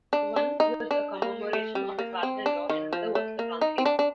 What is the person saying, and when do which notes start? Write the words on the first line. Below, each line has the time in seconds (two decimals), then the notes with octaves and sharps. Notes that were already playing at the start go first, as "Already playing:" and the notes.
One was a commemoration of his father-in-law and another was a translation.
0.13 D4
0.36 D4
0.60 D#4
0.91 D4
1.22 A#3
1.53 A3
1.75 G3
1.99 A#3
2.23 C4
2.46 D4
2.69 D#3
2.93 F3
3.15 A3
3.39 A#3
3.61 D#4
3.78 C4
3.86 D4
3.99 D4